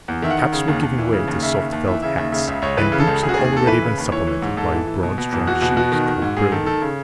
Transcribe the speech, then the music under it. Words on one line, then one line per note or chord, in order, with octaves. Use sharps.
Caps were giving way to soft felt hats, and boots had already been supplanted by broad, strong shoes, called brogans.
E2
D#3 E5
F#5
D#3
C#3
D#2
D#2
E3
C#3
D#2
C#3 E5
D#2
D#2
E3 E5
C#3 E5
D#2 E5
C#3 E5
C#2 E5
C#2 C#5
E3 B4
C#3
A4
C#2
C#3 G#4
F#4
G#4
D#2
G#4
D#2 A4
E3 B4
C#3
D#2
E3 C#5
E3
G#2
G#2 A4
E3
E3
B2
B2
E2
E2 F#4
B2 F#4
B2 F#4
D#3
D#3
G#2
G#2 G#4
D#3 A4
D#3 A4
C#3